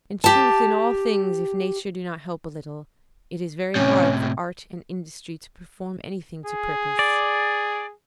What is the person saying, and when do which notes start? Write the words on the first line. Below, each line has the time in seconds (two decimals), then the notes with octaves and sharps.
In truth, in all things, if nature do not help a little, it is very hard for art and industry to perform anything to purpose.
0.24 G4 A5
3.75 A2 C3 C#4
6.46 G#4
6.99 D5